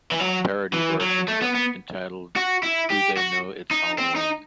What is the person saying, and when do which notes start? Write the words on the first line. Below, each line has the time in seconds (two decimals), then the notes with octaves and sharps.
A parody version entitled Do They Know It's Hallowe'en?
0.12 E3
0.20 F#3
0.74 E3
1.01 F#3
1.28 A3
1.42 B3
1.55 B3
2.36 F#4
2.63 E4
2.91 G4
3.17 F#4
3.71 D#4
3.98 C4
4.16 D#4